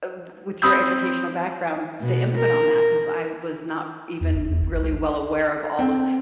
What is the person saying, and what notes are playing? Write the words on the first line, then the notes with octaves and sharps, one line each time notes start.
uh, w with your educational background, the input on that 'cause I was not even really well aware of all of
C4 B5 D#6 E6 G6
B2
A#4
E2
F#1
E2
G#1
C#2
C4